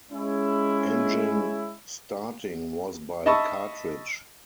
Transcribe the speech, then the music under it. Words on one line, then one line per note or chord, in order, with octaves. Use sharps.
Engine starting was by cartridge.
G#3 C#4 E4
D#5 E5 A5 B5 C#6 E6